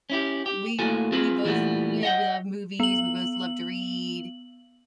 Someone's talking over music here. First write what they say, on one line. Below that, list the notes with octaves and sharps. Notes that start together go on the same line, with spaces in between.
we we both, you know, we love movies, we both love to read,
C#4 E4 G4
G4
A2 A#3 F#4 A4 G#5
C4 F4 G#4 B4
A#2 E3 F#3 G3 A3 B3
D#5 F#5 G5
B3 F#7